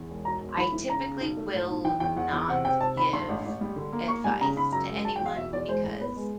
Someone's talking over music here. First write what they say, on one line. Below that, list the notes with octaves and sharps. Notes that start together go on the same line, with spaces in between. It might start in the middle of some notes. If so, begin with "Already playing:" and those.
I typically will not give advice to anyone because
Already playing: E2
E1
B2 A#5
E1
E3 B5
E3
C#3 A#5
C#3
B1
A3
A2
B1
E3 G5
E2 G5
E2 F#5
E2
C3 F#5
C3 G5
C3 A5
D#3 B5
G2 C6
A1
A1
G3
D3
A#3
A#3 C#6
G3 G#5
C#3 A#5
C#3 B5
F#2 A#5
G#3
F#3 A5
G5
E2 F5
B2 E5
E2 D5
G#3 C5
A2
B3 B4
G#3